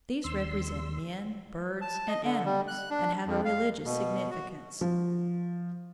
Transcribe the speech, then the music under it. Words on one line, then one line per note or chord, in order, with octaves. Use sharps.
These represent men, birds and animals and have a religious significance.
D#2 C6 E6
A5
D#5
D3
G3
F#6
D4
F2
F5
B2
F#4
F3